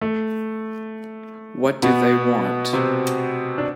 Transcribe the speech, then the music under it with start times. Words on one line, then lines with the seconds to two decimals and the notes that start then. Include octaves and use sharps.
What do they want?
0.01 A3
1.82 B2 B3
2.73 C3 C4
3.58 D4